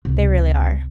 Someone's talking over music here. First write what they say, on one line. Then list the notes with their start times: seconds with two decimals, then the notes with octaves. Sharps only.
they really are.
0.05 C#2 C3